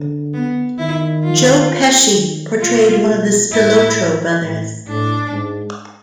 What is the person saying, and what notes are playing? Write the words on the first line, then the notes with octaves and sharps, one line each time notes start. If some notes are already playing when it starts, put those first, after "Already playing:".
Joe Pesci portrayed one of the Spilotro brothers.
Already playing: D3
B3
D#3 E4
F4
D#3
C3 F4
B2
A2 E4
A2
A2 D4
G#2